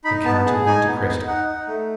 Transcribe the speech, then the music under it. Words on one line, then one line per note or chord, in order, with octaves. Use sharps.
"The Count of Monte Cristo."
D#4 B5
B3 A5
G#4 A5
D#4 G#5
B3
D#4
D#4 F#5
D#4
A3